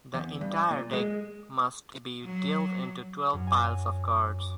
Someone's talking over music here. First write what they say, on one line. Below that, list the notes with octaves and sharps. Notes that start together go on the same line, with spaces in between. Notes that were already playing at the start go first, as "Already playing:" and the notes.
The entire deck must be dealt into twelve piles of cards.
E2
G2
A#2
G#3
F#3
F#2
G#5
D6